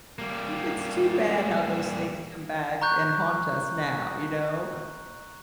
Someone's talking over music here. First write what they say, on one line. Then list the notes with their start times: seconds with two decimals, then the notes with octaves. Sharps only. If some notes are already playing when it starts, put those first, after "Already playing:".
It's too bad how those things come back and haunt us now, you know?
0.19 G3 A#3
2.81 A#5 C#6 F#6 G6